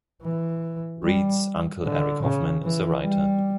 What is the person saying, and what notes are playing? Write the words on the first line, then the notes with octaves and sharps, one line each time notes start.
Reid's uncle Eric Hoffman is a writer.
E3
G3
D3
C#3
E3
G3